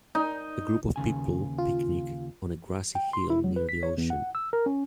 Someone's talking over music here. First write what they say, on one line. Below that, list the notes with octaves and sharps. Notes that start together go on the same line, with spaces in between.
A group of people picnic on a grassy hill near the ocean.
D#4
D#2 C#3 G#5
F4
G5
C6
E4
F#3
B4
B6
C#5
E2
F#5
E6
A#4
C#4